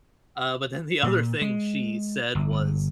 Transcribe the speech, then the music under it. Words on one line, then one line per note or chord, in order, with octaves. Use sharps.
Uh, but then, the other thing she said was,
A#2
G#3
G1